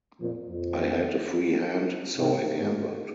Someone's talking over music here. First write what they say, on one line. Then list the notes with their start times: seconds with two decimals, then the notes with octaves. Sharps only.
I had a free hand, so I gambled.
0.20 F2 A#2
0.49 F2
2.17 G#2 C3
2.60 G#2